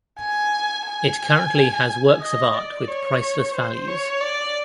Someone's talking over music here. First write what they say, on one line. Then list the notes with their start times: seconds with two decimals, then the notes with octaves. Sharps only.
It currently has works of art with priceless values.
0.19 G#5
0.87 G#5
2.21 D#5
2.54 D5
2.87 C#5
3.55 C5
3.88 C#5
4.20 D5